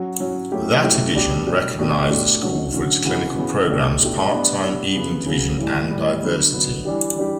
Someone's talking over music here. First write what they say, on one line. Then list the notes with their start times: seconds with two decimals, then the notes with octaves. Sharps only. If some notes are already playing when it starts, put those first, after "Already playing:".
That edition recognized the School for its clinical programs, part-time evening division, and diversity.
Already playing: F#3 C#4 F#4
0.20 F#3 C#4 F#4
0.52 F#3 A3 C#4 E4 G4
0.83 F#3 A3 C#4 E4 G4
1.15 B2 G3 D4 G4
1.47 B2 G3 D4 G4
1.79 B2 A3 D4 G4
2.11 B2 A3 D4 G4
2.42 D3 F#3 C#4 F#4
2.74 D3 F#3 C#4 F#4
3.05 C#3 E3 B3 F#4
3.37 C#3 E3 B3 F#4
3.68 B2 A3 D4 G4
4.00 B2 A3 D4 G4
4.31 G3 B3 D4
4.63 G3 B3 D4
4.95 C#3 F#3 B3
5.26 C#3 F#3 B3
5.58 A2 E3 G3
5.91 A2 E3 G3
6.22 D3 F#3 B3
6.53 D3 F#3 B3
6.85 E3 G3 D4 G4
7.16 E3 G3 D4 G4